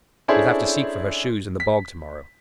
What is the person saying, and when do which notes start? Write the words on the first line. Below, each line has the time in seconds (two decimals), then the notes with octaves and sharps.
You'll have to seek for her shoes in the bog to-morrow.
0.28 C#4 D4 E4 G#4 A4 C5
1.60 B6